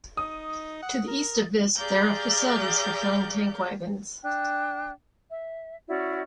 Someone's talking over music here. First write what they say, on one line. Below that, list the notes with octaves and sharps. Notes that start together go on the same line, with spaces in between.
To the east of Visp, there are facilities for filling tank wagons.
D#4 D#6
F#5
A#4
G4 G#4 D5 F5 A#5 G6
D4 G5 F#6
E5
C#4 E4 F#4 D5